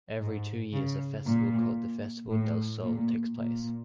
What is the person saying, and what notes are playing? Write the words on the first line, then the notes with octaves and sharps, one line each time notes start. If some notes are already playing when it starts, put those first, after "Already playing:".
Every two years, a festival called the Festival Del Sol takes place.
G#2
C#3
A#2
A2
A#2
A#2